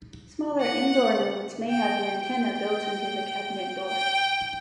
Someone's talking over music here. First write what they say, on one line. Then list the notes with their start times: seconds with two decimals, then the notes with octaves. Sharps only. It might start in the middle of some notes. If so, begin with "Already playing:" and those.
Smaller indoor nodes may have an antenna built into the cabinet door.
0.61 F#5
1.70 G5
2.23 G5
3.88 G5